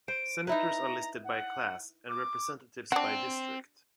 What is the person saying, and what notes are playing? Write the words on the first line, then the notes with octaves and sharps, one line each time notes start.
Senators are listed by class, and Representatives by district.
C5 D7
D#4 E4 B4 A#5
F#5
D6
C4 D4 F#4